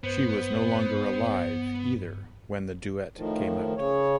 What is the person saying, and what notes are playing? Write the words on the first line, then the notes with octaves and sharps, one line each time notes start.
She was no longer alive either when the duet came out.
G2 B3 C5
A2 D#3 F3
C#3 C#5